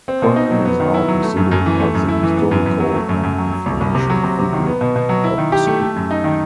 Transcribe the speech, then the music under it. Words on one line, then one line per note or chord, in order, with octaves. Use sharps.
Prony is now considered as a historical and influential figure of the school.
C4
B2
D#4
F#3
B3
D#3
E4
F#3
A3
F#2
F#2
E3
A3
F#2
E4
E3
B3
F#2
F#2
F#3
A3
F#2
F#2
F#3
F#3
C2
C2
C3
F#3
C3
C3
D#3
B3
B2
B2
F#3
E4
D#3
G4
A3
A3
F#2
D#4
D#3